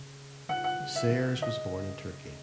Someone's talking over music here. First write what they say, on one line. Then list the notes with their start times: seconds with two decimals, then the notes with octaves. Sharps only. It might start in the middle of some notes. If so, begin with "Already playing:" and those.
Sayers was born in Turkey.
Already playing: C#3
0.49 C#3 F#5
0.64 F#5
0.80 C#3
0.96 E5
1.11 C3
1.39 D#3
1.42 C#3 D#5